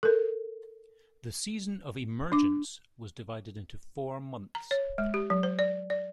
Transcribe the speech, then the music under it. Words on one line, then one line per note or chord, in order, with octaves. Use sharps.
The Season of the Emergence was divided into four months.
A4 A#4
D4 D6
A#5
C#5
G#3
G4
F#3
C5
D5
D5